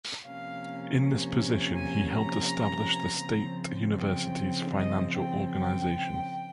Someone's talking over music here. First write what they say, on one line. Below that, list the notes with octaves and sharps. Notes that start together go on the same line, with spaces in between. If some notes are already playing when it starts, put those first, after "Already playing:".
In this position he helped establish the state university's financial organization.
C3 F3 A#3 C#4 F5
G#5
A#5
C#3 F3 C4
G5
D#5
G5
G5